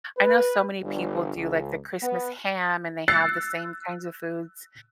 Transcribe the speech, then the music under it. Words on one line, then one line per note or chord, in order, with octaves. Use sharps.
I know so many people do, like, the Christmas ham, and they have the same kinds of foods
B4
G1
C#2
B3
E6 F#6 A6 C7 C#7